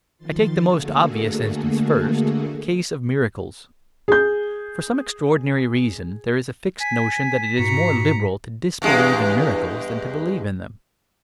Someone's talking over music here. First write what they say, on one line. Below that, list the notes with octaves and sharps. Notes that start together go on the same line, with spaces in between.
I take the most obvious instance first, the case of miracles. For some extraordinary reason, there is a fixed notion that it is more liberal to disbelieve in miracles than to believe in them.
D#3 F3 C6 A6
D3 A3 A#3 F#4 G#4 A4
G#4 G6
G#5 B6
G#2 F#4 A#5 C#7
E2 G2 G#3